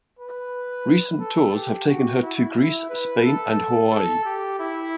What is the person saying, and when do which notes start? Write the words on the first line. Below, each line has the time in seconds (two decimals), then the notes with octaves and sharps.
Recent tours have taken her to Greece, Spain and Hawaii.
0.20 B4
1.20 A4
1.54 G4
1.88 F#4
2.22 E4
2.56 E4
2.90 B4
3.23 A4
3.91 A4
4.25 G4
4.59 E4